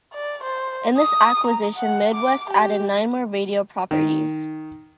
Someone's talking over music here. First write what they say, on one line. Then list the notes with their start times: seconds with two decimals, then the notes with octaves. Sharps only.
In this acquisition Midwest added nine more radio properties.
0.13 D5
0.44 C5
0.98 D#6
1.47 A#5
1.76 F#5
2.14 D6
2.50 G4
3.91 D#3